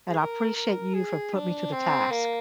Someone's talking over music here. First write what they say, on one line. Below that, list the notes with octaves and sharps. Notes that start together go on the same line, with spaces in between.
and I appreciate you for putting me to the task.
G#4
A#4
A#4
G#4
D4
C4
A#3